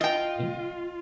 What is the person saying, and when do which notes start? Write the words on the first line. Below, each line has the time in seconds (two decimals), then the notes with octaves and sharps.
You think.
0.01 F4 D#5 G5